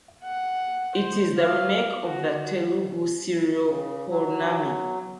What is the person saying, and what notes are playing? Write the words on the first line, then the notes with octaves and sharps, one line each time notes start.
It is the remake of the Telugu serial Pournami.
F#5
C5
F5
F#4
C#3
F#3